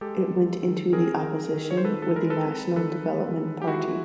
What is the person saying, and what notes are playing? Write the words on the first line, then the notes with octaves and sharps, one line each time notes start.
It went into the opposition with the National Development Party.
G#3 G4 A4
G#3
D#3
C4 G#4 A#4
D#3
D#3
C#5
C5
D#3 A4 B4
A4
G#3 A#4
A4 B4
C4
D#3 A4 B4
G#3
D#3
G4
G#3 E4 F#4